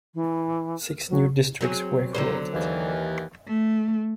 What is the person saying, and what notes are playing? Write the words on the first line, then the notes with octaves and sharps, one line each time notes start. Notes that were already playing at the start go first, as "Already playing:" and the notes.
Six new districts were created.
E3
F#3
F#3 C4 G#4
C#2 D3 F#3 G3 D#4 C5
D#2 E3
A3